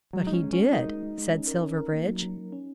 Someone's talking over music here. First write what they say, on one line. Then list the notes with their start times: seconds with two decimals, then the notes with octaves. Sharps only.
"But he did," said Silverbridge.
0.13 F#3 G#3
0.27 G#3 D#4
0.33 C#4
0.43 G#3
0.53 C#4 F#4
0.73 D#4 A#4
0.88 G#3
1.03 G#3
1.18 G#3
1.33 C#4
1.47 A#4
1.62 C#4
1.78 A#4
1.93 A#3
2.08 F#3
2.23 F#3
2.37 F#3
2.52 C#4